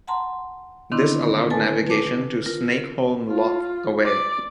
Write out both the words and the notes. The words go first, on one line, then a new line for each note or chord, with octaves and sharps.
This allowed navigation to Snakeholme Lock, away.
F#5 A5 A#5 C6
D3 D#3 B3 C4 D4 E4
A4 B4 G#5 A5
B4 A5 D6
F4 A#4
A#4
F4
D5